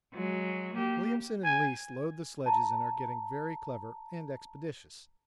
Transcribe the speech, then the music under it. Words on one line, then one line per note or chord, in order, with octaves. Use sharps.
Williamson and Leese load the sledges and are getting very clever and expeditious.
F#3 G#3
A#3 G4
G#5
A5 A#5